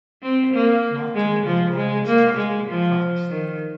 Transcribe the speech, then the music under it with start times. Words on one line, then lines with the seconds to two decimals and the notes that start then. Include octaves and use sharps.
Mathieu was born in Strasbourg, France.
0.22 C4
0.53 A#3
1.15 G#3
1.46 F3
1.76 G#3
2.07 A#3
2.37 G#3
2.68 F3
3.30 D#3